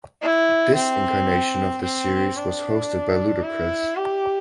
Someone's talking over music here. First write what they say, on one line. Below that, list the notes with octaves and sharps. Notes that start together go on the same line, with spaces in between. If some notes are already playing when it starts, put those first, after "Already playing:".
This incarnation of the series was hosted by Ludacris.
E4
C4
C4
D4
E4
G4